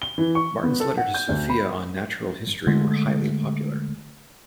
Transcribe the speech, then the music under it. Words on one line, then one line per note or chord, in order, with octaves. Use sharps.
Martin's letters to Sophia on "Natural History" were highly popular.
G7
E3
C#6
B3
A4
F#5
G6
D2
B5
D3 G#3 A3